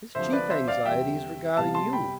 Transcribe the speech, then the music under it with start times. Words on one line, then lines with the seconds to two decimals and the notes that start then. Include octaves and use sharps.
His chief anxiety is regarding you.
0.15 D2 C3 F3 C5 E5
0.32 B4 D5
0.50 C5 E5
0.68 D5 F5
0.86 E2 C3 G3 E5 G5
1.57 C2 C3 G3 B3 F5 A5
1.74 A5 C6
1.93 G5 B5